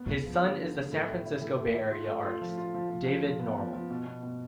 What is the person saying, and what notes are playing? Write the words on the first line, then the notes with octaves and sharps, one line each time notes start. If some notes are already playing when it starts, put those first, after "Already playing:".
His son is the San Francisco Bay Area artist, David Normal.
Already playing: B3
G#3
F3
D3
D3
B3
A2
E4
E4
E3
A2
E4
F4
A3
F4
F3
F4
F3
F3
F3
F3
B3
F3
F3
B2
B2
B2